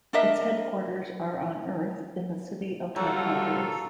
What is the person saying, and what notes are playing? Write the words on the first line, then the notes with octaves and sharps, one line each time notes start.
Its headquarters are on Earth in the city of Metropolis.
D4 A#4 D#5 E5
G2 F#3 F4 A4 F#5